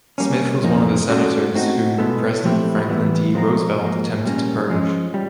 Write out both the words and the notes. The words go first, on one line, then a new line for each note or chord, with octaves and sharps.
Smith was one of the senators whom President Franklin D. Roosevelt attempted to purge.
G3 A#3 C#4
F2 C3 F3 A#3 D#4
G#3 C#4 F#4 A4 D5
A3 C4 D#4 F#4
B2 G#3 B3 E4 A4
F3 A3 C4 E4 G4
E3 G3 B3 E4
F3 G#3 C4 F4 A#4
G#2 F3 A#3
A#2 G3 A#3 C#4
F3 G#3 C#4
G3